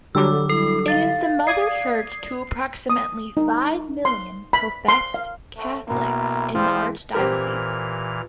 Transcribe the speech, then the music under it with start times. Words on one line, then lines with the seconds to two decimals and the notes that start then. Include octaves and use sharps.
It is the mother church to approximately five million professed Catholics in the archdiocese.
0.15 D3 F#3 G3 G4 D6 E6
0.31 A4
0.49 E4 A4
0.88 F5 A6
1.47 D5 D#6 G#6 C7
2.90 D#6
3.37 D#4
4.05 C6
4.53 B5
4.88 C6
5.14 F5
5.57 C2 A3
5.87 B1 B2 A#3 E4 A#4
6.55 E3 F3 G3 G#3 C4
7.15 A#2 E3 C4 G4 A#4 F6